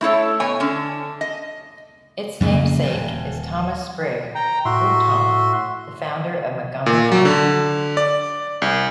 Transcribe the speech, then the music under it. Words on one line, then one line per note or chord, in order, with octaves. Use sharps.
Its namesake is Thomas Sprigg Wootton, the founder of Montgomery County.
A3 E4 A4 C#5
B2 C#5 G#5
D3 C#4
D#5
F2 C#3 F#3 A#3
D#1
G5 A#5
A2 F#4 E5 C6
A#2
F#3
D3
D5
C2